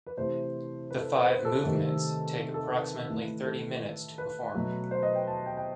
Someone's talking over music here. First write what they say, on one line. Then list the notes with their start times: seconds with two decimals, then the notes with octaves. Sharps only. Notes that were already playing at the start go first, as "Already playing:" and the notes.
The five movements take approximately thirty minutes to perform.
0.06 B4
0.17 C3 E3 A3 C5
0.91 B4
0.99 A4
1.09 B4
1.18 C5
1.27 B4
1.45 A4
1.63 C3 D#3 A3 C4
2.36 A4
2.54 A4
2.72 B4
3.09 A2 E3 A3
3.45 A4
4.18 B4
4.54 B2 F#3 A3
4.91 C5
5.03 D#5
5.15 G5
5.27 A5
5.46 G5
5.57 G5